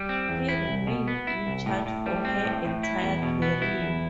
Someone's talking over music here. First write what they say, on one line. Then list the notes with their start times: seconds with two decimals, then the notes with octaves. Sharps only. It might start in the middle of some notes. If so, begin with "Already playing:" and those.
He remained in charge for her entire career.
Already playing: G3
0.09 C4
0.29 E2
0.49 E4
0.68 C2
0.87 B2
1.08 B3
1.27 E4
1.47 C2
1.66 A2
1.86 A2
2.06 G3
2.25 C4
2.45 A2
2.65 A2
2.83 E4
3.03 E2
3.22 B2
3.42 B3
3.62 E4
3.82 E2